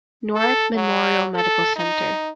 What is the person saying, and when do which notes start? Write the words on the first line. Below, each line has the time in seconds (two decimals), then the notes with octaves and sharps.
North Memorial Medical Center.
0.36 A4
0.75 F#3
1.35 A4
1.76 D#4